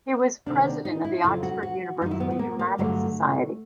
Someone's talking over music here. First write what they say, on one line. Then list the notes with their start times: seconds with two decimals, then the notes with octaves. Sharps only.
He was president of the Oxford University Dramatic Society.
0.46 D2 C3 D#3 D4
0.85 D#4
1.05 E4
1.23 F2 C#3 F#3 F4
1.43 F#4
1.63 F#4
2.02 F#2 D#3 F#3 D#4 F4
2.11 E4
2.20 B3
2.30 B3
2.39 A#3
2.59 A#3
2.78 G2 D3 F#3 A3